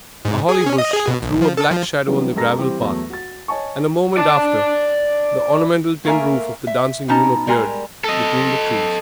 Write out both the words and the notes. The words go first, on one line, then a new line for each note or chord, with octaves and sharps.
A holly bush threw a black shadow on the gravel path and a moment after the ornamental tin roof of the dancing room appeared between the trees.
G#2
G#4
C#4
D#5
G#4
B2
A#1
F3
A4
F3
E3 F#3 G3 B3 D4
F#2 G#3 A4 A#4 A#5 A#6
E3 G3 C4 G4
E2 F#3 A3
F#4 A6
C#5 D#5 G#5 A5 C#6
D5 A5
A3 A#3 A#4 E5 G#5
E5
B2 C#4 D#4 A5 A#5
G3 G#3 A#4 G#5 A#5
A4 D#5